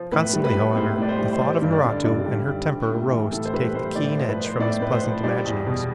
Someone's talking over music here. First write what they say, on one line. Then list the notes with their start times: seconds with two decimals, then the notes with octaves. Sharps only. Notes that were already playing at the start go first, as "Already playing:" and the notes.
Constantly, however, the thought of Naratu and her temper arose to take the keen edge from his pleasant imaginings.
Already playing: F3
0.12 A2 B4
0.33 G3
0.44 B4
0.55 G3
0.76 A2 C5
0.98 A2 D5
1.09 C5
1.19 G3
1.33 C5
1.40 G3 D5
1.62 G2
1.72 D5
1.83 D3
2.04 G2 D5
2.26 G3
2.47 G2
2.68 G3
2.90 A2
3.11 E3
3.32 A2 A4
3.46 C5
3.53 G3 B4
3.74 A2 C5
3.95 A2 D5
4.12 C5
4.18 F3
4.29 B4
4.39 F3
4.45 C5
4.59 A2 D5
4.81 A2 B4
4.92 C5
5.03 F3
5.24 G3 D5
5.45 E2
5.67 B2